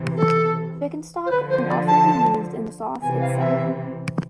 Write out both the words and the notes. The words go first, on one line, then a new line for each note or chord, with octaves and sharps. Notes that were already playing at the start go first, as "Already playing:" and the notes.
Chicken stock can also be used in the sauce itself.
Already playing: C3 E3
A4
C5
D3 F3 B4
C5
D5
A5
C3 E3 G#5
F5
E5